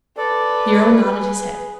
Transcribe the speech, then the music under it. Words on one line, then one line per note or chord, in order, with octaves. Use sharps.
The Earl nodded his head.
A4 B4 D5
G#4